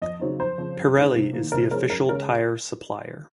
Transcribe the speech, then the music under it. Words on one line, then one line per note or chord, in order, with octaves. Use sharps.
Pirelli is the official tyre supplier.
F2 D#5
C#3 F#3 C4 D#4
F2 C5
C#3 F3 C4
F#2
C#3 G#3 C4 D#4
C3
D#3 A#3
C3 A#4
F3 G#3 C#4 A#4
F#2 A#4
C#3 G#3 C#4 A#4